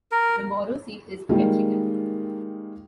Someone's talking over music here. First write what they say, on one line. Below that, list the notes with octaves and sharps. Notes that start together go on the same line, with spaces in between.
The borough seat is Ketchikan.
A#4
D#3 G3 G#3 A#3 D#4 F4